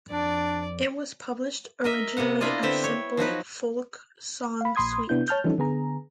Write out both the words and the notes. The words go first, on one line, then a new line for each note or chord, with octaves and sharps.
It was published originally as simply Folk Song Suite.
F2 D4 D5
A#4 D#5 E5
C3 A#3 B3 F#5
D4 E4 F4 D5 D#5
D3 B3 C4 E5 G5
C#5
F3 F#3 D#4 B4
F5 B5
A#1 A#2 B5 C6 D#6 G#6
C3 B3 D4 E4 G6
C#5 A5 F6 G6
E3 F3 G3 C#4 D#4 A4
D3 B3 G#4 A#5